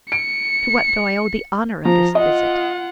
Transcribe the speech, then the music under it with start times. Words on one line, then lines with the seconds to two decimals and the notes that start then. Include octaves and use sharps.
"To what do I owe the honour of this visit?"
0.12 C#7 D7
1.85 F3 A#5
2.15 F4 D#5 F#5